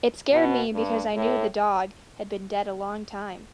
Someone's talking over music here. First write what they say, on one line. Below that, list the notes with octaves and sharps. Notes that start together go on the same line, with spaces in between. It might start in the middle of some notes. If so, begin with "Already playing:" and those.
It scared me because I knew the dog had been dead a long time.
B2
G2
A2